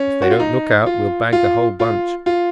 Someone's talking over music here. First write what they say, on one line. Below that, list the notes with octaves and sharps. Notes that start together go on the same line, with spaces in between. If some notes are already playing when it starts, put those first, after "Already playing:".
If they don't look out we'll bag the whole bunch.
Already playing: C#4
F#4
F4
D#4
F4
F4
F4
F4